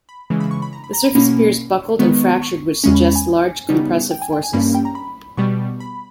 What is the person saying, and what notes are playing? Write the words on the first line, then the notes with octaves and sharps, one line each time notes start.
The surface appears buckled and fractured which suggests large compressive forces.
B5
C#3 E3 G#3
B5
C#6
B5
A#5
B5
A#5
B5
B2 A#3 C#4
D#3 G#3 B3 C#6
C#6
E2 C#3 G#3 C#4 C#6
B5
B5
G#5
C#3 G3 B3 D#4
G5
G#5
G5
G#5
G2 G3 A#3 C#4 B5
G5
A#5
B5
B2 G3 B3 C#6
B5